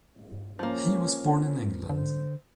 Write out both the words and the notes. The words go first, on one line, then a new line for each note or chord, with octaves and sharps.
He was born in England.
F3 A#3 C#4
D3 C5